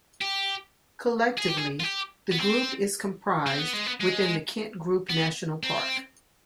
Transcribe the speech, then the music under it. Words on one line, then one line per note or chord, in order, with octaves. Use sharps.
Collectively, the group is comprised within the Kent Group National Park.
G4
G#4
G4
G#4
F4
G4
B3
C4
C4
B3
G#3
B3
G#3
B3
C4